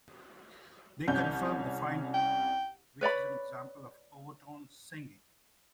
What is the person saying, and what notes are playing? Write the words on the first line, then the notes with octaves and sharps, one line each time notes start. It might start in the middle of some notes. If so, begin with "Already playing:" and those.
They confirmed the finding, which is an example of overtone singing.
C2 C#4 G6
G5
B4 C#5 D5 B5